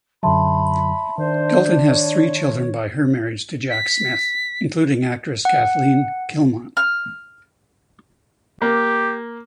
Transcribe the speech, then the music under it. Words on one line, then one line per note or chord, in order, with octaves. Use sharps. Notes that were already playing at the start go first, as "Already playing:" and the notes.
Dalton has three children by her marriage to Jack Smith, including actress Kathleen Kinmont.
F#2 D3 F#3 E5 A5 B5 C6
D#3 D4 C5
C#5
B6
F#5
F6
A#3 G4